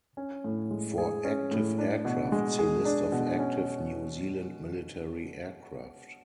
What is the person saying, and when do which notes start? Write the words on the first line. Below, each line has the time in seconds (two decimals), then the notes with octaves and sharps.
For active aircraft see List of active New Zealand military aircraft.
0.17 C#4
0.44 A2
0.71 G#3
0.98 G#4
1.24 C#4
1.51 A2
1.79 D4
2.05 B2
2.32 G#3
2.59 G#4
2.85 D4
3.12 B2
3.39 C#4